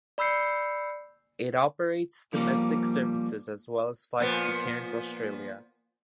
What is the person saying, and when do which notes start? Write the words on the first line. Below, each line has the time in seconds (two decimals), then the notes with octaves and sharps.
It operates domestic services, as well as flights to Cairns, Australia.
0.18 D5 B5 E6 G6 C7 C#7
2.33 F3 G3 A#3 C#4
4.20 A#2 F3 B3